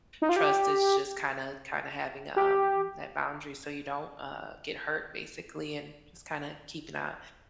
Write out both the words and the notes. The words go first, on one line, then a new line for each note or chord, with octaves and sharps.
trust is just kind of, kinda having, um, that boundary so you don't, uh, get hurt basically and just kinda keeping a
D#4
F4
G4
G4